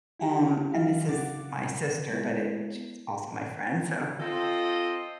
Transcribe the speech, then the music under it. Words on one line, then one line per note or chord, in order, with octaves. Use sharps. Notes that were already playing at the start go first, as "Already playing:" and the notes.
Um, and this is my sister, but it she's also my friend, so,
E4 G4
F#3 D#4 E4 F5
C#3 F#5 D6 A6
G#3 B3 E4
C4 F4 A4 C5 D#5